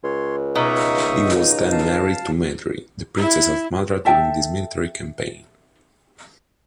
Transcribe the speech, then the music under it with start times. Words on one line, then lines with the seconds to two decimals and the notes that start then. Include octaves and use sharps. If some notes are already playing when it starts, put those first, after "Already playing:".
He was then married to Madri, the princess of Madra during this military campaign.
0.04 C#2 C#5 C6
0.56 B2 A#3 D#4 E5 C#6 D#6
1.72 F5 A5
3.17 E4
4.05 A4 E5 G5 A5